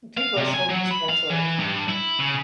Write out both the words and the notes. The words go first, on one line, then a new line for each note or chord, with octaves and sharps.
People are so disgruntled.
F5
C3
G#5
F#3
B5
F5
E3
G2
E4
C#3